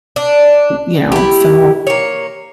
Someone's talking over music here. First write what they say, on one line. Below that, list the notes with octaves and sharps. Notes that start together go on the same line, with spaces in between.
you know? So,
D4
E4 G4
A#3 C#5